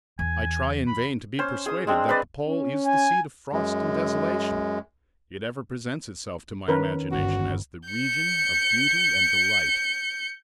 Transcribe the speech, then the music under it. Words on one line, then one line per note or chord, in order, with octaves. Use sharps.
I try in vain to be persuaded that the pole is the seat of frost and desolation; it ever presents itself to my imagination as the region of beauty and delight.
E2 G#5
B5
C#4 C5
G#4 D#6
G#3 C4 D4
G#4 B4 C5 D5
C#4
G#5
F#2 G#3
D#3 C#4 A#4 B4
G1 F#4
G6 C#7